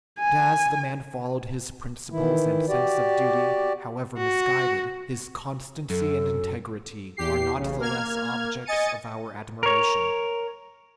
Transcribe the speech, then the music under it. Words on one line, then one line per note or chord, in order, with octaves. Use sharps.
But as the man followed his principles and sense of duty, however misguided, his constancy and integrity are not the less objects of our admiration.
G#5
D#3 E3 E4
F#4 G4 D5
F#4
F#2 A4
E2 G4 C7
A1 C#3
A#3 F6 G#6
D#5 G#5 A6 C#7 D#7
A#4 C#5